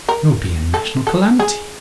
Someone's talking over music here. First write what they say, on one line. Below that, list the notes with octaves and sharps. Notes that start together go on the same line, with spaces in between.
It would be a national calamity.
A#4
A4
A4
G#4